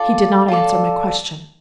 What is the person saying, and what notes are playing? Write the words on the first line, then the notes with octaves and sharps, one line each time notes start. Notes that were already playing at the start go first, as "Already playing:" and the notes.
"He did not answer my question."
Already playing: F4 A4 D5
F4 A4 D5